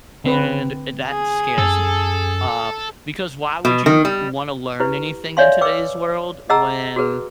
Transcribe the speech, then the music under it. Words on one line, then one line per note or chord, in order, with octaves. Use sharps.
and eh, that scares me. Uh, because why would you wanna learn anything in today's world when
D3 C4 B4
G#4
F#2 A4
B2
D#3
G3
E4 G4 B4
C#5 D5 E5 F5 G#5 C6
B4 G5 D6 E6
G#4 D#5 F#5 A5 A#5 E6
F#4 G#4 A#4 B4